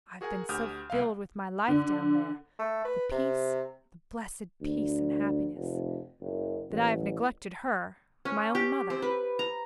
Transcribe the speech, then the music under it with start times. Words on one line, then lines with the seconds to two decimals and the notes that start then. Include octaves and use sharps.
I've been so filled with my life down there--the peace, the blessed peace and happiness--that I have neglected her--my own mother.
0.21 F#4 G#4 A#4 F#5 G#5
0.49 D2 G4 F#5 D#6 F6 G6
0.90 C2 F5
1.68 D3
2.59 A3
2.85 B4
3.11 C3
4.61 D2
5.55 F1
6.20 F#1
6.70 A1
8.25 C#4
8.55 G4
8.90 C4
9.02 B4
9.39 A#5